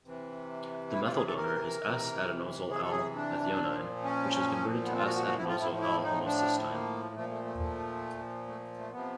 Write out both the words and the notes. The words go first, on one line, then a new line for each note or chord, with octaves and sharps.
The methyl donor is S-adenosyl-L-methionine, which is converted to S-adenosyl-L-homocysteine.
C3 E3
E4
F4
G#4
A4
A#4
C3 E3
G#4
A4
G#4
D4
A#2 F3
C#4
B3
C4
F4
F#4
F#4
F#4
A2 F3 E4
F4
E4
E4
D#4
D4
A#3
A#2 F3 A3
A3
A3
A3
A3
A3
C3 F3 B3